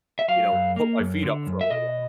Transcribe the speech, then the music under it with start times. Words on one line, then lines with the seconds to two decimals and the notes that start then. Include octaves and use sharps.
you know, put my feet up for a little while.
0.19 E5
0.28 F#3 F5
0.52 F#2
0.76 A#3
1.00 F#2
1.23 D3
1.47 F#2
1.61 E5
1.70 B2 D#5